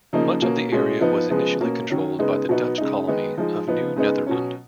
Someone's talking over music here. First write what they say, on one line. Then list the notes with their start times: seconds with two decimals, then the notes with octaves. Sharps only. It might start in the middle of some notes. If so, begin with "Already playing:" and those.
Much of the area was initially controlled by the Dutch colony of New Netherland.
0.13 C#3 F3 A#3 D#4
0.42 B2 A#3 C#4
0.72 B2 G#3 C#4
1.01 F3 B3 D#4
1.31 C#3 F3 G#3 B3
1.61 B2 A#3 C#4
1.90 D#3 F#3 C#4
2.19 C#3 G#3 B3 D#4
2.49 B2 F#3 B3 D#4
2.78 C#3 G#3 D#4
3.08 D#3 G#3 B3 D#4
3.38 F3 G#3 D#4
3.68 F3 B3 D#4
3.96 C#3 G#3 B3 D#4
4.27 B2 F#3 C#4